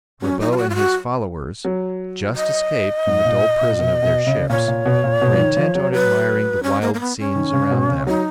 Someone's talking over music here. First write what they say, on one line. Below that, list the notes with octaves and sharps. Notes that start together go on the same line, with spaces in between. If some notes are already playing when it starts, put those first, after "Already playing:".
But Ribaut and his followers, just escaped from the dull prison of their ships, were intent on admiring the wild scenes around them.
F#3 C#4
D#4
F4
F#4
F4
F#4
F#3
D#5
G#2
A#2
A#2
B2
B2
C#3
A#2 C#5
A#2
B2
A#2
B2
F3
D#3
F3
F#3
F#3 B4
C#4
A#3
A#3
B3
C#4
D#3
C#3
B2
C#3
F#3 D#4